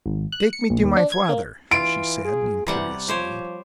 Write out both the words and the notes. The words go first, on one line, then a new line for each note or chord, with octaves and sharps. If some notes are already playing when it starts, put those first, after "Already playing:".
"Take me to my father," she said, imperiously.
G#1
F#6
C#7
A#1
D#2
D4
G#6
A#3
E3 F4 D7
G#4
C3 E3 G3 F#5
F3 G4 C5 C#5